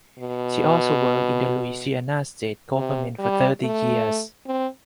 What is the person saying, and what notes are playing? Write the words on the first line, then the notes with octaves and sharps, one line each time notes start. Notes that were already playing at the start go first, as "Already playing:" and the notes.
She also worked in the Louisiana state government for thirty years.
B2
C3
G3
A3
C4